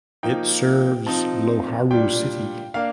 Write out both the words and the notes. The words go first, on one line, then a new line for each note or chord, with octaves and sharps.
It serves Loharu city.
F3 A#3 D#4 G5
F3 C4 D#4 A5
A#2 G3 D4 G5
A#3 D4 F5